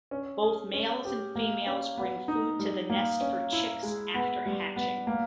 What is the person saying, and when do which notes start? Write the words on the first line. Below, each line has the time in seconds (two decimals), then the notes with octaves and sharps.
Both males and females bring food to the nest for chicks after hatching.
0.11 C#4
0.42 G#4
0.73 C#4
1.05 G4
1.36 A#3
1.66 C#4
1.97 B3
2.28 D#4
2.59 G3
2.90 A#3
3.21 C#4
3.52 E4
3.83 G#3
4.14 B3
4.46 G3
4.76 B3
5.07 A#3